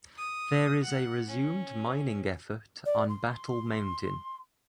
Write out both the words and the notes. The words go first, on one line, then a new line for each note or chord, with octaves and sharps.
There is a resumed mining effort on Battle Mountain.
D#6
F#5
C#4
D5
C6